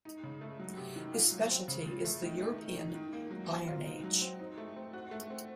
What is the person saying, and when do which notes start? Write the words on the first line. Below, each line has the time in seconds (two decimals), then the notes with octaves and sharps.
His speciality is the European Iron Age.
0.05 D#4
0.23 C#3
0.41 A3
0.60 F#3
0.77 C3
0.96 D#3
1.14 F4
1.32 F#3
1.50 C4
1.68 C#3
1.86 F3
2.05 A3
2.23 D#3
2.40 A3
2.58 D#4
2.76 D#4
2.95 D#3
3.13 A#3
3.31 F#3
3.49 C4
3.67 F4
3.85 D#4
4.04 F#3
4.22 C4
4.40 D#4
4.57 A3
4.76 C4
4.93 F#4
5.11 A3
5.30 C4